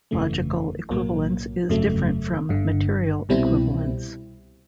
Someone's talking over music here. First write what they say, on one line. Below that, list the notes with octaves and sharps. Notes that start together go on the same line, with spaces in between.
Logical equivalence is different from material equivalence.
G1 F2 C#3 E3 A3
B1 A2 F#3 A#3
G1 F2 C#3 F#3 A3
G1 G2 D3
C2 B2 G3 C4 E4